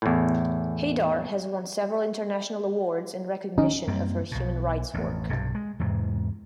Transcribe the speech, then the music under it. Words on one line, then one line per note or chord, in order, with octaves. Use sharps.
Haidar has won several international awards in recognition of her human rights work.
E2 A2
D#3 C#4 D#4
F#2 G3 A#3 C4
B1 B2
A1 F2
B1 G2 C3
G#3
E2 G#2 C3 G#3